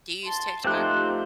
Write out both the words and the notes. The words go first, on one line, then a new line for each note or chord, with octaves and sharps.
Do you use TikTok?
A5 C6
F3 A3 C4 D#4 G4 C5 F#6